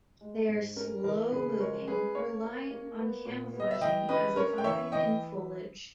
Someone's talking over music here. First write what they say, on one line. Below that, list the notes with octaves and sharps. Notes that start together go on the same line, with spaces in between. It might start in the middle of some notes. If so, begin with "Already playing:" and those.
They are slow moving, relying on camouflaging as a vine in foliage.
G#3
G#2
C#4 A#4
E3 A#4
C#3 G#4 B4
G#3 A#4 C#5
C#4 G#4 B4
A#3 A#4 C#5
A#3
A#3
B3
A#2
B3
D#5
E5
E3 D#5 G5
C#4 B4 D#5
C#4 A#4 C#5
G5
E3 C#5 E5
E3 D#5 G5